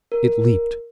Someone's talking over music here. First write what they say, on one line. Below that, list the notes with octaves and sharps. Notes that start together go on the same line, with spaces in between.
It leaped.
A#4